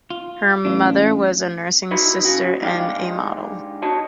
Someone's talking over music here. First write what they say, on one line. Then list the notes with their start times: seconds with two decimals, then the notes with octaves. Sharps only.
Her mother was a nursing sister and a model.
0.10 F4
0.65 A1 D4 F4
1.91 D#4 E4 F#4 B4 D#5
2.25 C#3 F#4
2.62 G#2 D4 D#4 G4 F5
3.82 F#4 C#5 D#5 A5